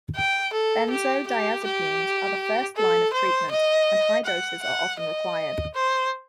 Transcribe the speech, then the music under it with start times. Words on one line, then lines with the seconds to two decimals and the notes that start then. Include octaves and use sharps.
Benzodiazepines are the first line of treatment, and high doses are often required.
0.16 G5
0.53 A4
0.90 G4
1.27 G4
1.64 G4
2.76 A4
3.14 C5
3.51 D#5
4.25 F#5
4.63 F#5
5.00 D#5
5.75 C5